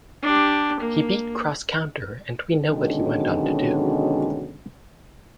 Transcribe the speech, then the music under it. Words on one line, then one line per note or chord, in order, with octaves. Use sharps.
He beat Cross Counter and we know what he went on to do.
D4 G4
A#3
B2 D3 D#3 F#3 G#3 C#4